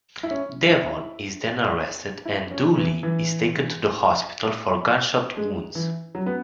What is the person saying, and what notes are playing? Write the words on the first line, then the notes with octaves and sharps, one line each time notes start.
Devon is then arrested and Dooley is taken to the hospital for gunshot wounds.
E4
C#4
E4
E4
C#4
E3
E3
G#3
E3
F#3
B3